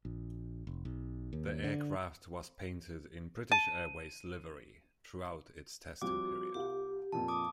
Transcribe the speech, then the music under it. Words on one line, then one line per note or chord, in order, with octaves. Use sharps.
The aircraft was painted in British Airways livery throughout its testing period.
A#1
F1
B1
D#2
D3
A5 D#7
F3 G3 C4 F#4 D6
C2 F4 G4
F2 A#2 F3 A5
D6 D#6